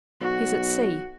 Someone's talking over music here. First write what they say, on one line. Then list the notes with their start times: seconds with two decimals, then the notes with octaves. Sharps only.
He's at sea.
0.21 B1 F#4